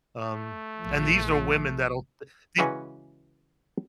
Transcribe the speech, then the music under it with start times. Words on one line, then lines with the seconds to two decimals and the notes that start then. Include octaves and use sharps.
um, and these are women that'll b be
0.24 A3
0.80 A#1 F3
2.58 C#3 E3 G#3 C#4 F#4 B4